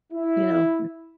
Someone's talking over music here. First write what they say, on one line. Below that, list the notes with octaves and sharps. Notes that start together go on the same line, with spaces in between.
you know,
E4